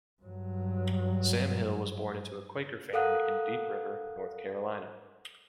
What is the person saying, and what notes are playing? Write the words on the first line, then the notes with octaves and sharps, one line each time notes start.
Sam Hill was born into a Quaker family in Deep River, North Carolina.
G2 F#3
A4 A#4 F5 F#5 D#6 F#6